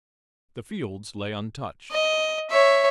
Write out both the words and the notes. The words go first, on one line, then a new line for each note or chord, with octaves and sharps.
The fields lay untouched.
D#5
C#5 E5